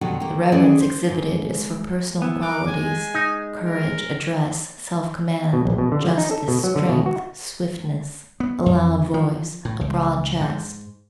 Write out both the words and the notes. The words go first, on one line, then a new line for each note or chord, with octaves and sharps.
The reverence exhibited is for personal qualities; courage, address, self-command, justice, strength, swiftness, a loud voice, a broad chest.
F2 B2 D3 D#3 F#3 G3
D#3 A#3
D#2 F#3 C#4 G#4 A4 D5
C5
G#2
B3 E4
D#4 A#4 D6 F#6
G#3 G#5
D#4
A#4
B2
A#1
B2
D3
F3
D#4
A4
B2
F#3
D3
B2
F#4
B3
F2
F3
A2
C#2
G#2